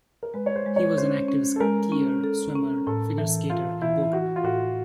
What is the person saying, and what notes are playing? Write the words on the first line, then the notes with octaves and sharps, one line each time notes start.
He was an active skier, swimmer, figure skater and boater.
A#4
G#3 B4
C#5
C5
G#3
C#5
C#4 C5
C#4
A4
G#3 A#4
C#4
A4
C#4
A2 A4
E3
E3 F4
E3 E4
E3 F#4
F4
A2 F#4